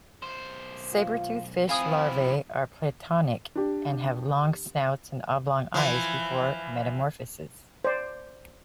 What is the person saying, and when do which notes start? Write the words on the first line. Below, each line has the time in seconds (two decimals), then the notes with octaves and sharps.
Sabertooth fish larvae are planktonic and have long snouts and oblong eyes before metamorphosis.
0.22 B1 C5
0.93 F4
1.69 F3 C4 E4 F5 G#5 D#6
3.55 D4 G4
5.74 E3 F3
7.85 C5 D5